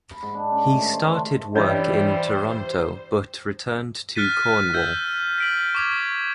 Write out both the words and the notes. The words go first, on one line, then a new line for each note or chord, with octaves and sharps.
He started work in Toronto but returned to Cornwall.
B5
G#2
D4
C#4
A2
D#3
C5
A3
G2 E3 G3 C5 C#5 D#5 E5
F6 F#6 A6 B6 D#7
E6 G6 B6
B6 D7 F#7
C#6 D6 G#6